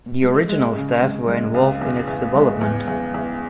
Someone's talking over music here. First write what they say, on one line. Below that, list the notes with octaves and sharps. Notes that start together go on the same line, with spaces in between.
The original staff were involved in its development.
G#3
G#3
C#3
G#3
G#3
C#2
E2
E2
G#3
E2
E2
E2